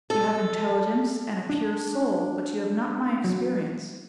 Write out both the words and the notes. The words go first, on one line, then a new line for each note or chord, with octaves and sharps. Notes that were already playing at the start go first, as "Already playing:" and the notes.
You have intelligence and a pure soul, but you have not my experience.
A4
D4
F#3